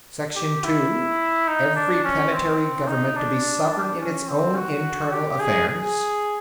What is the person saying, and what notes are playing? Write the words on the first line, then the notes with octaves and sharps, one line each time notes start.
Section Two: Every planetary government to be sovereign in its own internal affairs....
G4
E4
D#4
D4
C#4
C4
D#4
D4
D4
C#4
C4
F#4
G4
G#4
G#4